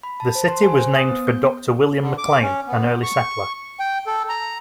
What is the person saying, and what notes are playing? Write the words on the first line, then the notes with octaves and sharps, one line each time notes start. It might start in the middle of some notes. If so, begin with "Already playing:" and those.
The city was named for Doctor William McLean, an early settler.
B5
A5
C5
C6
G#5
C5
D#6
B3
G6
D3
D6
C#4
B3
C#6
G5
A4
A#5